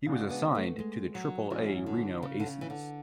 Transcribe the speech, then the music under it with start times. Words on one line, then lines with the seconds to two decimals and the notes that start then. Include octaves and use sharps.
He was assigned to the Triple-A Reno Aces.
0.07 C#3 G#3 D4 F#4
0.30 B3
0.55 A3
0.79 G#3
1.15 F#3
1.50 G#2 E3 F#3 C#4 E4
1.86 D3
2.23 C#3
2.40 D3
2.46 C#3
2.61 E3
2.70 D3